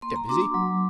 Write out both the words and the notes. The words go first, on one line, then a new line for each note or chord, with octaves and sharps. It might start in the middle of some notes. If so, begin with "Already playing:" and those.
"Get busy."
A#3 C6
A#5
D4 F#4 D6
D6
F#3